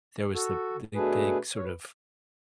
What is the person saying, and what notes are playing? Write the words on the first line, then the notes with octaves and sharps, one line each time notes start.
there was the big big, sort of,
F#4 A4
B2 A3 D4 G#4 B4
C#5
B4